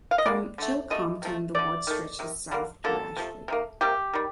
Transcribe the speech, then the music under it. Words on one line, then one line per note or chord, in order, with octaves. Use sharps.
From "Chilcompton" the ward stretches south to Ashwick.
F5
D#5
D3 G3 A#3 D5
D3 A3
D3 A3 D#5
C3 F3 A3
D3 A3 D5
D#3 A3
C3 D#3
D3 G3 A#3
D3 F3 A#3 A4
C3 F3 A3
C3 D#3 A#3
C3 G3 A#3 G4
D#3 G3